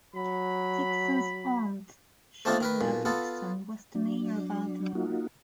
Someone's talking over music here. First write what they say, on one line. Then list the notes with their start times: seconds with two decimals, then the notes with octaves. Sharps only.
Dixon's aunt, Sheila Dixon, was the mayor of Baltimore.
0.15 F#3 B5
2.45 A3 C4 D4 D#4 F4 A4
2.61 D#3 A#4 B4
2.81 B1 A#2
3.05 B3 F4 A4
3.95 F#3 D4
4.95 A#3 D#4 F4 F#4